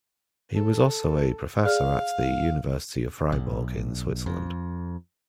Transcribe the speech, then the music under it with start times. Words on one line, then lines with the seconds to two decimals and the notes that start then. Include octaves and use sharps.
He was also a Professor at the University of Fribourg in Switzerland.
0.56 A4
1.65 G#4 D5 F5 F6
3.32 B1
4.26 F2